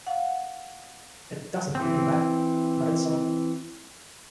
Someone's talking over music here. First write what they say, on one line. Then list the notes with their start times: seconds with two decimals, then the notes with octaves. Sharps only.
It doesn't bring him back, but it's something.
0.07 F5 F#5
1.75 E3 C4